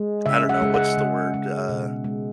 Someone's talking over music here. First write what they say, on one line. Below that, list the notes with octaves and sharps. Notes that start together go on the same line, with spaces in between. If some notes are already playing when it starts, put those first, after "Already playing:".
I don't know. What's the word, uh
Already playing: G#3
C#3 E5
F#5
G#3
F#5
C#3
G#3
B2
G#3